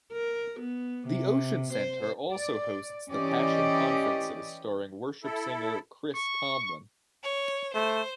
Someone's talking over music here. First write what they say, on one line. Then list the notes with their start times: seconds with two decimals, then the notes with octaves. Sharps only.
The Ocean Center also hosts The Passion Conferences starring Worship singer Chris Tomlin.
0.12 A#4
0.60 B3
1.08 C3
1.73 C5
2.32 D5
3.10 E3 C#4 G4 D5 D#5
5.24 E4 A4
6.15 C#6
7.22 C#5
7.75 A3 C5